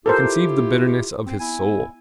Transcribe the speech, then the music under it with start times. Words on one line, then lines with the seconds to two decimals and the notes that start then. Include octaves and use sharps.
You conceive the bitterness of his soul.
0.06 E4 F4 G4 A4 A#4 C5
1.27 C4
1.39 B3 E4 G#5